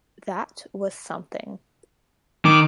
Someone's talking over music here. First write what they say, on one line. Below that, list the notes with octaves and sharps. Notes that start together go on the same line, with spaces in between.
That was something.
D#3 D6